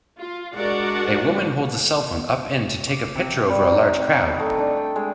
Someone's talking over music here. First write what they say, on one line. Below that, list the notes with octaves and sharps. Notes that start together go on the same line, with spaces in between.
A woman holds a cellphone up in to take a picture over a large crowd.
F4
G#3 D4 F#4 A#4 D5 F#5
D6
C3
G3
D#4
D#4
A3
D4
G5
G#3